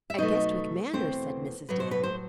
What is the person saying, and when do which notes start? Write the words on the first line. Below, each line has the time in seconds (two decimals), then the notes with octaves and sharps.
"At Guestwick Manor!" said Mrs. Dale.
0.10 E5
0.18 B2 F#3 A3 D#4 D#5
0.93 E2 B2 A3 C4 C5
1.69 A2 F#3 A3 B4
1.80 C5
1.91 B4
2.03 C5